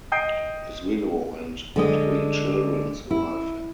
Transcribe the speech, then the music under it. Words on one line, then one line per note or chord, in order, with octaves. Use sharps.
His widow and three children survive him.
D#5 G5 D#6 G6 C7 D7
D3 G#3 D#5
E4